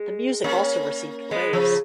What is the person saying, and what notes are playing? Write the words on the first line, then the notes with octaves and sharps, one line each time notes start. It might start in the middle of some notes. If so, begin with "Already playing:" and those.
The music also received praise.
Already playing: G#3
A#3 C#4
G#3 B3
C#3 F3